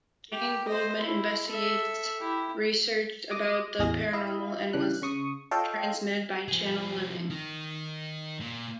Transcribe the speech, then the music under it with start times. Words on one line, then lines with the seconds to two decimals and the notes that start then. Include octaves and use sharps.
"Jane Goldman Investigates" researched about the paranormal and was transmitted by channel Living.
0.32 G4
0.68 C5 D#5
1.01 E4
1.47 A4 E5
2.19 E4 G4
3.31 D6 D#6 A#6
3.79 A1 E2 A2 G#4 D#5 A#6
4.13 E4 D#5 F5
4.73 C#3 E3 D4 F#6
5.02 C#3 C#6 D#6
5.51 F4 A4 C#5 D#5 F5 G5
6.48 F3 G#4
7.31 D#3 D#4
8.40 A#2